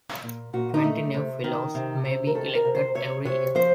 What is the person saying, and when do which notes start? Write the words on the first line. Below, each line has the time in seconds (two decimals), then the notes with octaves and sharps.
Twenty new Fellows may be elected every year.
0.23 A#2
0.53 A#2 F#4
0.74 D#4
0.84 A3
1.14 C3
1.44 D#3
1.75 C3
2.05 C3
2.27 A#4
2.35 D#3 A4
2.55 A#4
2.65 C3
2.75 C5
2.95 C3 C#5
3.25 C3 C#5
3.55 F3 C5